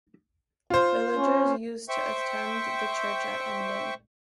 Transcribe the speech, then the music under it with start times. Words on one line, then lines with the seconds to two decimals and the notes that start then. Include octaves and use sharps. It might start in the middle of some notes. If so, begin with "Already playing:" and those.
Villagers used to attend the church at Endon.
0.70 F4 C5
1.17 C#4
1.89 C5 E5 G5 C#6